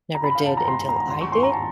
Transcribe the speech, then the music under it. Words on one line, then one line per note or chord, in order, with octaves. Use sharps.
never did until I did.
A#5
B5
F5
A5
A#5
C6
A#5
C6
C#6
C6
A#5
A5